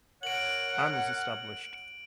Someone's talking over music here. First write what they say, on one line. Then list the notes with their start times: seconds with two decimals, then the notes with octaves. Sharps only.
Anne was established.
0.23 A#4 C#5 F#5 D7 F#7